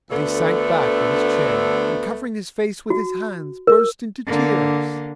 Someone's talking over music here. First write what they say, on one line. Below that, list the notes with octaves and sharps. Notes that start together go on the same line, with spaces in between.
And he sank back in his chair and, covering his face with his hands, burst into tears.
D2 D3 A3 B3 A4
F#4
A#4
D3 A#3